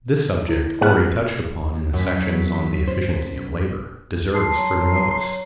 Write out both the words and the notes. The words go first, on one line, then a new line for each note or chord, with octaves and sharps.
This subject, already touched upon in the sections on the efficiency of labor, deserves further notice.
E4
B3 G#4 F#5 F6
F#2 F#3 B6
C5
A5 C6 C7
F#3